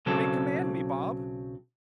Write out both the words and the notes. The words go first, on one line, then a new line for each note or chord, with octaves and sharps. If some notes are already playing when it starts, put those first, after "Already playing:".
You may command me, Bob.'
B1 C#3 F#3 C4 A4